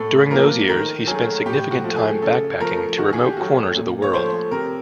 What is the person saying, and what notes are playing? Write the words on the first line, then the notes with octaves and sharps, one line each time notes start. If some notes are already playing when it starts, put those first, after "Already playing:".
During those years, he spent significant time backpacking to remote corners of the world.
Already playing: A2 A4
F3 A#3 A#4
D#3 A#4
F#3 A3 G#4
A2 G4
F#4
F3 A3
G#4
C#3 A4
F3 A3 A#4
D#3 F#4
G#4
G4
F#3 A3 F#4
A#2
C#5
F3 A3 C5
C3 A#4